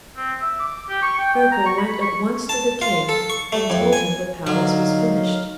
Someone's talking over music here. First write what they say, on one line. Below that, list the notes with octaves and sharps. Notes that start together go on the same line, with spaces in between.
Ferko went at once to the King and told him the palace was finished.
C4
E5
D6
G4
C#6
G5
G5
A#5
C#6
B5
C#6
A5
F4
A4
C#6
A3
F2
G#5
D3 F#3 D#4 F5